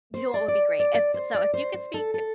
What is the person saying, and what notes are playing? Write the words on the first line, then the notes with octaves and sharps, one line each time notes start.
you know what would be great? If so if you could speak
C5
D5
D5
D5
D5
C5
D5
C5
C5
A4
A4